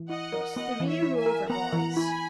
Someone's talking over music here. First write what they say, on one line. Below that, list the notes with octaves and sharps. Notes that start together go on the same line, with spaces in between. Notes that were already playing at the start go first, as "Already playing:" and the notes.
"Those three Rover boys."
Already playing: E3
E4 D#5 F#5
A#4
B3 D#5 F#5
E3
C#5 E5
E4
E5 G#5
A#4
B3 F#5 A#5
E3
E4 G#5 B5